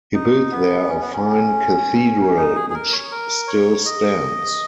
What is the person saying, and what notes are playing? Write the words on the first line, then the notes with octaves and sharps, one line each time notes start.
He built there a fine cathedral, which still stands.
D#4
B3
C#4
B3
C#4
D#4
G#4
G#4
A#4
C#5
A#4
C#5
D#5